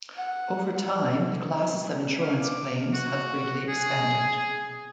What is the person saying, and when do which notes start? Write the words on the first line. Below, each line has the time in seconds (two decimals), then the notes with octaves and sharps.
Over time, the classes of insurance claims have greatly expanded.
0.16 F#5
2.22 F5
2.42 D6
2.93 F#4
3.69 G#4